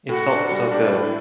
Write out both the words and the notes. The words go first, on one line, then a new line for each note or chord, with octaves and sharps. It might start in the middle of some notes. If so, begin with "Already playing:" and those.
It felt so good.
A2 F#4
D4
G3
D4 G4
A2
E4